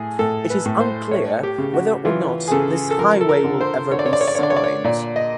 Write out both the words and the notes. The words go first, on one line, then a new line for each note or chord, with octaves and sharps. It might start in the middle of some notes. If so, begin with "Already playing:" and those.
It is unclear whether or not this highway will ever be signed.
Already playing: A2 G#4
A2 A4
B4
A2
C5
A3 C#5
G4
C#3
F#4
E3 F4
G#4
C#3 A4
A4
F3 A#4
A4
A#4
D3
C5
D3 C#5
D5
C#5
D5
C#5
D5
C#5
D3 D5
C#5
D5
C#5
A#2 D5
D#5